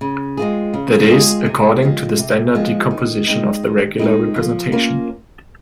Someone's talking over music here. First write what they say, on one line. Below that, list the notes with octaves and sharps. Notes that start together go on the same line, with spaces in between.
That is according to the standard decomposition of the regular representation.
C#3
G#3 C4 F4 G#4
C#3
G#3 C4 F4 G#4
C3
F3 G#3 C4
C3
F3 G#3 C4
D#3
G#3 C4 D#4
D#3
G#3 C4 D#4
F3
A#3 C#4 F4 A#4